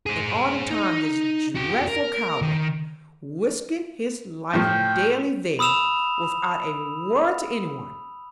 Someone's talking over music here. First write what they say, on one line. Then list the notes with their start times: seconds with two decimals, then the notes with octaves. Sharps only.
And all the time this dreadful "coward" risking his life daily there, without a word to any one!
0.06 G#4 C5
0.71 D#4
1.55 F#4 G5
1.88 A#4
2.42 D#3
4.53 A2 F3 G5
5.59 B5 D#6 E6 E7 F7